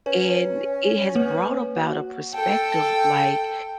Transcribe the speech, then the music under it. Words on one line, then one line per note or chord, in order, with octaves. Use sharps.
And it has brought about a perspective like,
C#4 B4
A#3 B4
F#4
A4 G5